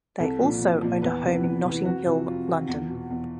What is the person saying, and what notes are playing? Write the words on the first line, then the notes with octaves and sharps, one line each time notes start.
They also owned a home in Notting Hill, London.
C2 A4
A#2 F3
C2
A#2 F3
E2 B4
C3 E3
E2
C3 E3
F2 F#4
C3 F3
F2 F4
C3 F3
E2
B2
E2